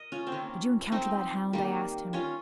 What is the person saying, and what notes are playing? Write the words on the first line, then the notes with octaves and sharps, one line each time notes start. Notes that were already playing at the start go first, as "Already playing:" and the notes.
'Did you encounter that hound?' I asked him.
Already playing: A#4 D#5
C#4 F4
C4
D#3 A#3 C#4
C4 D#4
D#3 G3 A#3
C#4 F4